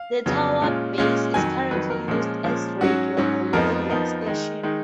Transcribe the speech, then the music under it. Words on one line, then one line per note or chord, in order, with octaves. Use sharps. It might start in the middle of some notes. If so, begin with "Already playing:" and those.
The tower base is currently used as radio relay link station.
Already playing: F5
F2 C#3 F#3 B3
A#2 G#3 C#4 F4
A#2 G#3 C#4 F4
F2 D#3 F#3 G#5
F2 D#3 F#3 B4
A#4
A#2 F3 G#3 C#4
A#2 F3 G#3 C#4
G#2 F#3 C#4 F#4
G#2 F#3 C#4
F2 F3 B3 D#4 A#4
F2 F3 B3 D#4 A#4
D#3 G#3 D#4
D#3 G#3 D#4